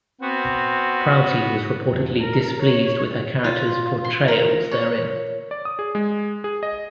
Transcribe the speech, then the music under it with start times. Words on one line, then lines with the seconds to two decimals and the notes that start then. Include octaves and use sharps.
Prouty was reportedly displeased with her characters' portrayals therein.
0.21 B3 C4 F#4
1.92 E2
2.20 A#4
2.62 C#5
3.44 F4
4.04 C6
4.28 A#4
4.71 C#5
5.51 D5
5.65 D#6
5.79 G#4
5.95 G#3
6.44 G#4
6.63 D#5